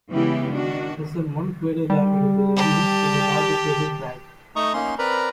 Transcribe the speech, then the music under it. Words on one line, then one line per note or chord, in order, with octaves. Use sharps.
Less than one crater diameter to the east is the larger crater Bragg.
C#3 E3 G#3 B3 E4 G4
D#3 D4 F#4
G3
G4 A5
A3 D#4 D#5 A#5 C#6 D#6
A#3 C#4 D#4 C6
C4 A#4 B4 D5 A#5 B5